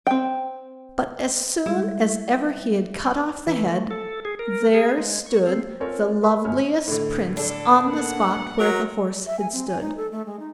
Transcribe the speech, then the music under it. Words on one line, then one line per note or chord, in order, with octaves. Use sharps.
But as soon as ever he had cut off the head, there stood the loveliest Prince on the spot where the horse had stood.
C4 G5
G3 G#3 E4
E3
A3
A4
G#4
A#4
G#4
G#3
C#6
C4
C4 C#4 F4 A4 A#4 C#5
A#4 B5
G1 C#4 G#4 C#5 F6
A2 D3
D4 A4
A#3 B3 F#5
F#3 A#4
E5
G#5
C4
G#5
D#4
A4
A3
G#3
D#4